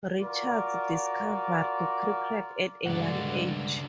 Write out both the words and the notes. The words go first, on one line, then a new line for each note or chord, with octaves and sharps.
Richards discovered cricket at a young age.
F4 F#4 A#4 D5
C#2 G2 B2 D3 G3 G#3 D4 F#5